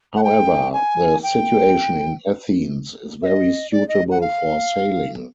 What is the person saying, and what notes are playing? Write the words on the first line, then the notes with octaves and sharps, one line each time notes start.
However the situation in Athens is very suitable for sailing.
F#5
G5
G#5
G5
E5
D#5
D5
D#5
F#5
F5